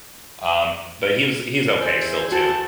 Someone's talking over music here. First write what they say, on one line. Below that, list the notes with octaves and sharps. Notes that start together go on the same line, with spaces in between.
um, but he was he was okay still too.
E2 C5 E5 G#5
F#4 A5